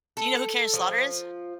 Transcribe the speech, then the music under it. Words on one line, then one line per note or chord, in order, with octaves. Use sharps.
Do you know who Karen Slaughter is?
A4
F3